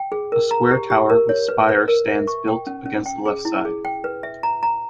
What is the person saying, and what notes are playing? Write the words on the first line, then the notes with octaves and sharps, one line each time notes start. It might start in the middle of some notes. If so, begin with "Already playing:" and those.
A square tower with spire stands built against the left side.
Already playing: G5
G#4
A#4
A#5
G4
G4
A#4
C#5
B4
B4
A#4
E5
C#6
G5
C#4
C#4
G5
G#4
E4
G#4
G5
B4
E5
A#5
A#5